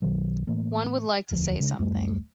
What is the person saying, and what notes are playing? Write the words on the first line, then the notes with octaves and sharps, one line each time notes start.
One would like to say something.
B1 B2 D#3 F#3
A2 E3 A3 A#3
E1 D2 F3
C#3 G#3 D4
D1 F#2 G3 A3